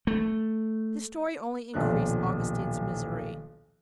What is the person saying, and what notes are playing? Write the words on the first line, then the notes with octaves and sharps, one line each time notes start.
This story only increased Augustine's misery.
A3
D#1 B1 F3 D4 F#6